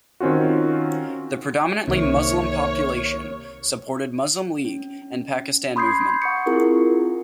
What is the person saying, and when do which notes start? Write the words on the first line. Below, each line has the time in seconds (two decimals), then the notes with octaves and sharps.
The predominantly Muslim population supported Muslim League and Pakistan Movement.
0.20 D#3 C4 C#4 F4 F#4
1.87 C2 C3 D#3 A#3 C#5
4.65 C#4
5.76 B5 C6 D#6 G6 G#6 C7
6.22 F#5 C#6 C#7
6.46 C4 E4 F4 G#4 A#4